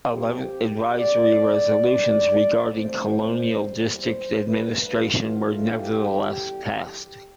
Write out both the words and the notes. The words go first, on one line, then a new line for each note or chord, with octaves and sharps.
Eleven advisory resolutions regarding colonial district administration were nevertheless passed.
C3 F3 C4 G4
D3 G3 C4 D5
D3 G3 B3 D4
F2 E3 A3 C4 C5
E2 C3 G3
C5
G2 D3 A3 B4
F4
G2 E3 A3 D4
G4
E2 D3 G3
G4